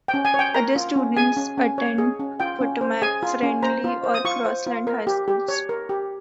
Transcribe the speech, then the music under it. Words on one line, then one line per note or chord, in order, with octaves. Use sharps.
Other students attend Potomac, Friendly, or Crossland high schools.
G5
C#4
G#5
C#5 G5
A#4 A#5
F4
C#4
G#4 G#5
C#4
C#4
C#5
G#4
C#4
F4 G5
C#4
C5
G#4 G#5
F4
C#4
C5 A#5
F4
C5
D#6
F4 C#6
C5
F4
A#4
G4
G4
C#5
A#4
G4